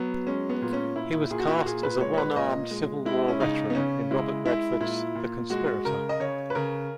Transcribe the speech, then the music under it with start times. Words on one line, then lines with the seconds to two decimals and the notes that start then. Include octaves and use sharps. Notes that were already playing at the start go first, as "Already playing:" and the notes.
He was cast as a one-armed Civil War veteran in Robert Redford's "The Conspirator".
Already playing: F#3 B3
0.27 G#3 C#4
0.49 B3
0.62 A#2
0.73 C#4
0.96 A#2 E4
1.31 A#2 G#4
1.40 F#4
1.48 E4
1.56 F#4
1.66 A#2 G#4
1.83 B4
2.00 G#3 C#5
2.14 C#5
2.18 B4
2.35 A#2 D#5
2.71 G#3
3.05 G#3 E4
3.28 C#4
3.40 C#3 D#4
3.70 B3
3.75 C#3 C#4
4.11 G#3 E4
4.45 G#3 E4
4.80 A#2 E4
5.15 A#2
5.50 G#3 F#4
5.85 C#3 A#4
6.09 D#5
6.20 C#3 C#5
6.50 B4
6.55 C#3 A#4